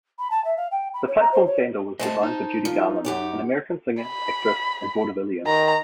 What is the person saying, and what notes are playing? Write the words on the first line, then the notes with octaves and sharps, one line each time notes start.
The platform sandal was designed for Judy Garland, an American singer, actress, and vaudevillian.
B5
A5
E5
F5
G5
B5
C#5
A#5
C5
C#5
A3 C5 D#5 G#5 A5
D#4
F3
F#2 G4 C#5
B5
D#3 A#5